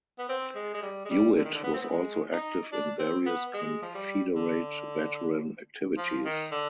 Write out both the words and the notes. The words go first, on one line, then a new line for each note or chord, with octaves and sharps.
Hewitt was also active in various Confederate Veteran activities.
B3
C4
G#3
G#3
G3
G#3
G3
D3
D#3
D3
B3
C4
B3
G#3
D#4
D4
C4
B3
G#3
F3
G3
D3
F3
D#3
D3